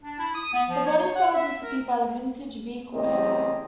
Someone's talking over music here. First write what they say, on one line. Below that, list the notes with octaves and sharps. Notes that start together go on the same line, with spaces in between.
The body style disappeared by the vintage vehicle era.
D4
E4
D#6
B3
F3
C#5
C#5
F#5
E5
A#4
E2 A2 C#3 C4 G4 D#5